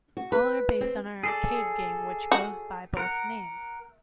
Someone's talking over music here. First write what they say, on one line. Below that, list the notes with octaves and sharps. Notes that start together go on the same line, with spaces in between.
All are based on an arcade game which goes by both names.
F#4
B4
C4
G#4 A4 D5
F#4
A#4 F#5